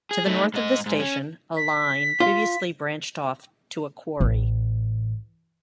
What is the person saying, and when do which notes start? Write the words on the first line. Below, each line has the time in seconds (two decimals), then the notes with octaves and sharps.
To the north of the station, a line previously branched off to a quarry.
0.11 G#4
0.26 A3 D#4
0.54 G#2 D#5
0.86 G#2
0.99 C#4
1.57 B6
2.20 F4
4.20 A1